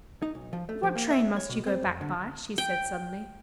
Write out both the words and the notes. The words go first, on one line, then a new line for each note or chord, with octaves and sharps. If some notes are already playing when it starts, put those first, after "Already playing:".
"What train must you go back by?" she said suddenly.
D#4
B1
F3
A3
F3
A#3
E5
C#5
B2
C4
F2
D3
G5